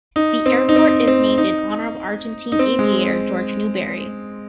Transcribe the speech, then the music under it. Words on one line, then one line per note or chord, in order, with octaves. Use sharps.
The airport is named in honor of Argentine aviator Jorge Newbery.
D#4
C4
D#4
C4
C4
D#4
D#4
C4
G#3